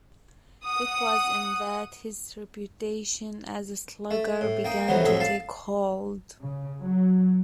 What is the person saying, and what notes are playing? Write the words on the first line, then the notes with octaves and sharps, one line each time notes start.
It was in that his reputation as a slugger began to take hold.
F#5 D#6
A3
A2
A#3 G5 D#6
F2 C3 D#3 E3 F#3 B3
C2 F2 A2 F#3 G#4 E5
F5 A5
C#3
F#3